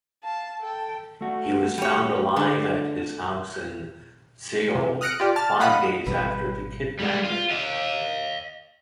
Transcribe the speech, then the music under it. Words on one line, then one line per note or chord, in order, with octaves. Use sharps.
He was found alive at his house in Seoul five days after the kidnapping.
F5 A5
A4 G5
A3 F#4
G3 C#5
D3
C3
D#6 F6 F#6 A#6 C#7 D7
F4 G4 D5
A5 F6 A6
D#5 F5 F#5 B5 D#6 F#6
G#1 B2 G3 B4
G3 G#3
F4
D#5 F5